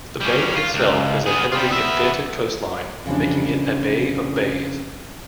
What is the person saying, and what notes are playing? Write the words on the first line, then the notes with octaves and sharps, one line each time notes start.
The bay itself has a heavily indented coastline, making it a bay of bays.
G3 C#4
F4
C#2
B3 G#4
G3 F4
B3 E5
F2 C#3 E3 G3 D4